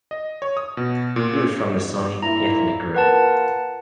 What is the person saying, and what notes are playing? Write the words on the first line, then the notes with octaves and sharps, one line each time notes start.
He was from the Soninke ethnic group.
D#5
C#5
D#6
B2
A#2
E2 B2
A#2 E4 A#5
A#3 F4 A#4 B4 F#5 A5